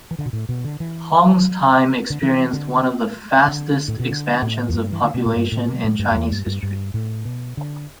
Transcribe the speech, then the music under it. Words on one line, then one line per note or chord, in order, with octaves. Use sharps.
Hong's time experienced one of the fastest expansions of population in Chinese history.
E3
D3
B2
A2
B2
D3
E3
D3
E3
D3
D3
A2
B2
D3
A2
E2
G2
E3
D3
B2
A2
G2
A2
B2
A2
G2
G2
E2
G2
G2
G2
A2
B2
D3